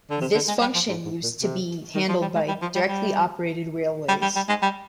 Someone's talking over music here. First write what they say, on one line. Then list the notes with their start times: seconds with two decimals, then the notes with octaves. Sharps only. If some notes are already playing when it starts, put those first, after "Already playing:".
This function used to be handled by Directly Operated Railways.
0.10 D3
0.21 C3
0.34 D3
0.48 G#3
0.61 G3
0.75 F3
0.88 G#2
1.05 G#2
1.23 A#2
1.41 C3
1.95 D#3
2.09 F3
2.22 G3
2.35 G#3
2.48 G3
2.62 F3
2.75 G3
2.88 G3
4.09 G3
4.22 G3
4.36 G3
4.49 G#3
4.62 G3